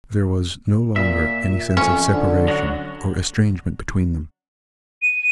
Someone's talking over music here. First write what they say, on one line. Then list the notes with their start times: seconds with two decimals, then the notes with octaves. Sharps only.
There was no longer any sense of separation or estrangement between them.
0.96 A#2 E5
1.77 F2 C#4
2.11 D3
2.48 F#3 D4 F#4
5.02 D#7